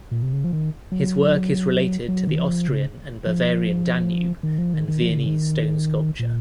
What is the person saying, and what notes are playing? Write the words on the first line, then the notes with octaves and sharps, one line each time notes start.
His work is related to the Austrian and Bavarian Danube and Viennese stone sculpture.
A#2
C3
C#3
F3
D#3
F#3
F#3
D#3
F3
C#3
F3
D#3
F3
D#3
D#3
F3
D#3
C#3
D#3
A#2